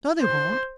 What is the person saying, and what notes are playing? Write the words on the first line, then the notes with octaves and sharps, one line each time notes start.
"No, they won't...."
C5